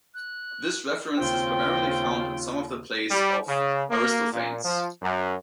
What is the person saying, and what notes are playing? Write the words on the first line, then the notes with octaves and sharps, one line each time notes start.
This reference is primarily found in some of the plays of Aristophanes.
F#6
D#2 C#3 C4 F4 G5
G3
C#3
A#3
A#2
F3
F#2